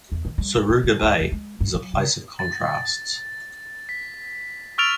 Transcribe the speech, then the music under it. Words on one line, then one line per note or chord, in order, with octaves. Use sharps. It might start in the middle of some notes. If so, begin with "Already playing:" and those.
Suruga Bay is a place of contrasts.
E2
D#3
G3
A1
E3
D3
D2
D#2
G#3
G2
F#3
C#3
A6
B6
C#6 E6 F6 A6 D7 F7